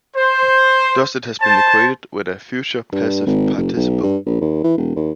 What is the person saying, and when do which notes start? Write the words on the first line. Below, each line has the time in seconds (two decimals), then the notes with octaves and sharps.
Thus it has been equated with a future passive participle.
0.15 C5
1.41 C5 A5
2.92 G2
3.26 G#1
3.57 F#1
3.76 B1
4.03 G2
4.26 A#1
4.41 D#2
4.64 E3
4.77 E1
4.96 D#2